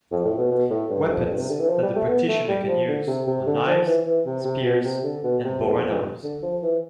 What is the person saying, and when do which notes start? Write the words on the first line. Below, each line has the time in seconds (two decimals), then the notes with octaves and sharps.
Weapons that the practitioner can use are knives, spears and bow and arrows.
0.12 F2
0.25 A2
0.38 B2
0.51 B2
0.70 A2
0.90 G2
1.10 F2
1.30 G2
1.39 C3
1.50 D3
1.59 E3
1.69 F3
1.82 G3
1.96 A3
2.08 B3
2.28 A3
2.48 G3
2.68 F3
2.88 D3
3.08 C3
3.27 C3
3.47 D3
3.66 F3
3.86 E3
4.06 E3
4.26 C3
4.45 C3
4.65 B2
4.85 C3
5.04 D3
5.24 B2
5.44 C3
5.64 E2
5.73 F2
5.84 F2
5.93 G2
6.23 D3
6.43 F3
6.63 E3